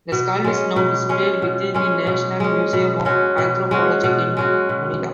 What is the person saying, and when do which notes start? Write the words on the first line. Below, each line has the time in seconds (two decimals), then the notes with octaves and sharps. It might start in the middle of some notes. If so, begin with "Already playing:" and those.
The skull is now displayed within the National Museum of Anthropology in Manila.
0.12 B2
0.44 G#3 C#4
0.76 B2
1.09 G#3 C#4
1.42 B2
1.74 G#3 C#4
2.07 B2
2.40 G#3 C#4
2.73 B2
3.05 G#3 C#4 F#4
3.38 B2
3.71 G#3 C#4 F#4
4.04 B2
4.37 G#3 C#4 F#4
4.69 B2